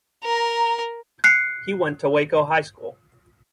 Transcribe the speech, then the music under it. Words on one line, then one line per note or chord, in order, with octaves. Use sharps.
He went to Waco High School.
A#4 A#5
F#6 C7 C#7